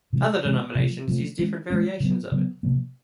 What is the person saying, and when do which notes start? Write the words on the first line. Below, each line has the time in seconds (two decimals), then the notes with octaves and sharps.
Other denominations used different variations of it.
0.13 C3 E3 G#3
0.45 C3 E3 G#3
0.75 C3 F3 A3
1.08 C3 F3 A3
1.39 E3 G#3 C#4
1.70 E3 G#3 C#4
2.00 C#3 F#3 B3
2.32 C#3 F#3 B3
2.63 C3 F3 A#3